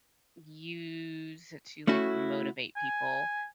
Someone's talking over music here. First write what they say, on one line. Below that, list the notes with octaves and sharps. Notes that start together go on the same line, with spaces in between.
use to, like, motivate people.
A3 C#4 E4 F#4
G#5